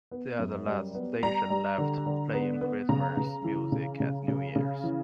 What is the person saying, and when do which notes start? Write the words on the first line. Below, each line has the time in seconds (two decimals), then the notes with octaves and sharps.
They are the last station left playing Christmas music at New Year's.
0.11 B3
0.39 F#2
0.67 G3
0.95 B3
1.23 G3 A#5
1.50 G3
1.78 D3
2.06 D3
2.33 B3
2.61 B3
2.89 C#3 A#5
3.17 C#3
3.44 E3
3.72 C#3
4.00 C#3
4.28 C#3
4.56 C#3
4.84 E3